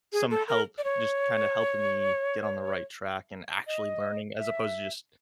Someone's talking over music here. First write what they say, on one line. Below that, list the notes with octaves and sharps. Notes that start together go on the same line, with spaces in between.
some help, just kinda helping me get on the right track and actually learning as opposed to just
G#4
A4
A#4
D5
C#5
D#5
E5